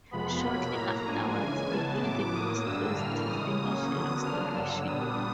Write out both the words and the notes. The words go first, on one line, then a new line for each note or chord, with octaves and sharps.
Shortly afterwards, the building was closed to finish the restoration.
F2 C3 F3 G#3 B3 B5
B2 F#3 A#3
A2 F#3 A#3 A#5
G#2 F3 A#3 D4 G#5
C#3 E3 G#3 C#4
C#3 E3 G#3 B3 A5
A2 F#3 B3 D6
A2 F#3 A#3 D#6
G2 D3 G3 A#3 D4 E6
A2 E3 G3 A#3 F6
C#3 E3 G#3 D#6
C#3 F#3 A#3 C#4
D3 F#3 B3
C#3 F3 A#3 D4 F6
G2 D3 F#3 E6
A#2 G3 B3 D4 D#6